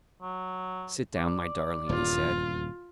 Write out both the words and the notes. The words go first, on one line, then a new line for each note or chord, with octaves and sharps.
"Sit down, my darling," he said.
F#3
D5
D#1 E2 G2 F4